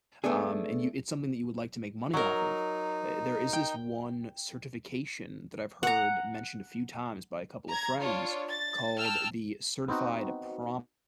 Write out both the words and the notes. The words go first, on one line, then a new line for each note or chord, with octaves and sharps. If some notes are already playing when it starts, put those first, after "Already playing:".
um, and you it's something that you would like to make money off of, eh, there is this one certification that I've heard mentioned a few times by a couple of friends, called the certified prompt
A3 B3 D4 G#4
F#3 D#4 A#4
G5
F#5 A#5
A#5 G#6
D4 F4 C#5
A6
G5 A5 E6 F6
B3 C4 D#4 F#4